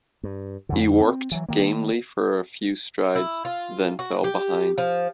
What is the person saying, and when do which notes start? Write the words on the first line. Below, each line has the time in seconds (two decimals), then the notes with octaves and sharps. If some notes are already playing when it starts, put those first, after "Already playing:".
He worked gamely for a few strides, then fell behind.
0.23 G2
0.69 F2 D3
1.01 C4
1.32 E3 F#3
1.49 D#3 A#3
3.15 E4
3.45 F4
3.99 F#4
4.24 G4
4.78 F3